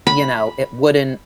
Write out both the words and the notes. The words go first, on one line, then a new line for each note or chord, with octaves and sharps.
You know, it wouldn't
B5